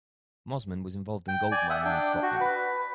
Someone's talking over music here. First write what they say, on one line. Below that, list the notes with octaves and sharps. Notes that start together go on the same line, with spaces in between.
Mosman was involved in gold mining in Scotland.
G5
D5 G#5
E5 F#5 D#6
D4 G5
F#4
B4